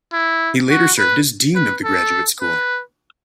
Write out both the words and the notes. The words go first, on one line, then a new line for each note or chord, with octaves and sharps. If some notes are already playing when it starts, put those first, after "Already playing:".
He later served as dean of the graduate school.
E4
F#4
B4
B4
A4
B4